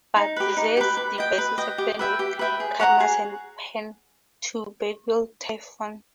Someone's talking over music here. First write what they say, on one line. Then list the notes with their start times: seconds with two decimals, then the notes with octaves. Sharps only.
But Zeus devises a plan with Cadmus and Pan to beguile Typhon.
0.16 D#4
0.36 G4 B4
0.57 D#4
0.77 G4 B4
0.97 B4
1.18 D#5 G5
1.38 B4
1.58 D#5 G5
1.78 G4
1.99 B4 E5 G5
2.19 G4
2.39 B4 E5 G5
2.60 G#4
2.80 C#5 F#5 A#5
3.00 G#4